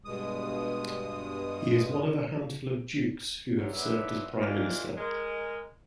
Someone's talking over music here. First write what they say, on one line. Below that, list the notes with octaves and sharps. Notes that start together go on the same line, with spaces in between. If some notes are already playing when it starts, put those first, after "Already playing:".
He is one of a handful of dukes who have served as Prime Minister.
G2 B2 G#3 D#6
F#2 F#3 G3
E2 A#2 F#3 D4 B4 E5
D#2 A#2 E3 D4 F4
G#3 A#4